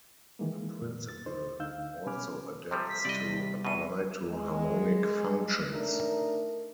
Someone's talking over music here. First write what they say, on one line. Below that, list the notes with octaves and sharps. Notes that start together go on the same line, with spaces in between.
The principle also adapts to apply to harmonic functions.
D#3 E3 G#3 A#3
F2 A#2
A6
D2 D#4 C5
D2 D3 D#4 F5 E6 G6
B2 C#4 G#5 B5 D6 F6
C3 F3 G3
B6
C3 G3 D5 D#5
E2 B2 D#7
G#3
A3 D4 D#4 A#4